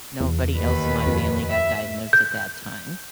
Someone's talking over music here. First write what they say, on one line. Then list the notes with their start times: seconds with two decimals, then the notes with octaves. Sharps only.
Nobody else in my family got diagnosed at that time.
0.20 E2
0.57 D#2 B4
1.07 F2
1.50 E5
2.13 G6